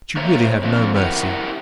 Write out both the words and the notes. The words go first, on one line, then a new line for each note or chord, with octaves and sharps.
But you really have no mercy.
A3 A#3 C5 C#5 A#5
D3 F3 C4
E4 G4 A#4 F#5 A#5